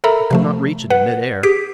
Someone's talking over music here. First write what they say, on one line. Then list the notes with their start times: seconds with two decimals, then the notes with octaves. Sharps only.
He could not reach it in mid-air.
0.04 A4 A#4 E5 A#5 B5
0.31 C3 F3 A3
0.90 B4 F#5
1.43 G4 G#4 B6 D7